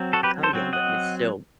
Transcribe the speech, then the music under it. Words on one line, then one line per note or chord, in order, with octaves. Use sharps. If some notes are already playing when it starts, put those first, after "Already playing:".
Oh, yeah, but it's still
Already playing: F#3 C4
F#4 A4
G4 B4
A4 C5
F#3 C4
D#5 F#5